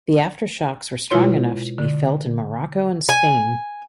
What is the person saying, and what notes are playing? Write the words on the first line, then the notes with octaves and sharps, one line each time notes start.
The aftershocks were strong enough to be felt in Morocco and Spain.
B2 G#3 E4 F4 C#5 C6
D3
G#5